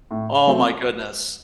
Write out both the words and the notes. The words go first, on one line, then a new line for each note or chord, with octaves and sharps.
oh my goodness.
A2
F#3 A3 C4